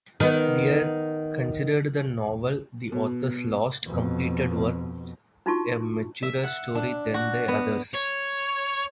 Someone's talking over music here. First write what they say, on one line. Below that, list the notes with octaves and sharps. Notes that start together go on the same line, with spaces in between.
Dear considered the novel-the author's last completed work-a maturer story than the others.
D#3 B3
B2
F2 B2
D4 D#4 F4 F#4 A5 C#6
E5
F#5
D4
F#4
B3
C#5